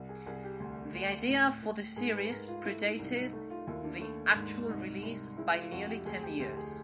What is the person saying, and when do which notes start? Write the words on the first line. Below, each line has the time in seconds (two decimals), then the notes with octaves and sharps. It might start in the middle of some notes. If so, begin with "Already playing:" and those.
The idea for the series predated the actual release by nearly ten years.
Already playing: C2
0.09 G#4
0.26 C2 G#4
0.43 G4
0.60 D2
0.94 D2
1.28 A2
1.62 A2
1.96 G#2 G#4
2.13 B4
2.31 G#2 A#4
2.48 F4
2.64 A3 E4
2.82 D#4
2.99 C2 D#4
3.16 D#4
3.33 A3 D#4
3.50 F4
3.67 D#2 E4
3.84 D4
4.01 A3
4.35 G#2
4.69 C2 D#4
5.03 C2
5.37 G#3 E4
5.55 F4
5.72 F2 F#4
5.89 G4
6.06 D2 G#4
6.23 G4
6.40 D2 G4
6.57 G#4